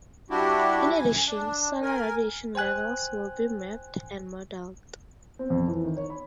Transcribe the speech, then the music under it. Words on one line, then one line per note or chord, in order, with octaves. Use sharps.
In addition, solar radiation levels will be mapped and modeled.
G3 D4 E4 F#4 G4
F#2 G#5
D4
A#4 G#5
C5 G5 G#5 F#6
C4
F2
E3
D#3
C#5
B5